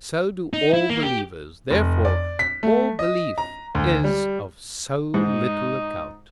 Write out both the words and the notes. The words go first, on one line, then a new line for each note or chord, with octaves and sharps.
So do all believers; therefore all belief is of so little account.
D#4
E4
A#3
G4
F1
D5
B6
A3
D#5
A#5
D2
G3
G#2 D#4